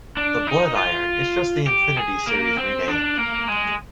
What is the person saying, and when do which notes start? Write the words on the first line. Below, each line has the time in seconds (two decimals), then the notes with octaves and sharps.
The "Bloodiron" is just the Infinity series renamed.
0.17 D4
0.47 D#4
0.77 F4
1.67 G4
1.97 G#4
2.27 A#3
2.58 C4
2.88 D4
3.18 A#3
3.48 G#3